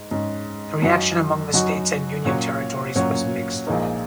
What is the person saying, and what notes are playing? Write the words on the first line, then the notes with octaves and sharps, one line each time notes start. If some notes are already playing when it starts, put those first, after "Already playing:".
The reaction among the states and union territories was mixed.
Already playing: G#2
G#2 G#3 C#4
F#2 F#3 D#4 F#4
F#2 F#3 D#4 F#4
A#2 F#3 C#4 F#4 C#5
A#2 F#3 C#4 F#4 C#5
A#1 A#2 G#3 D#4 A#4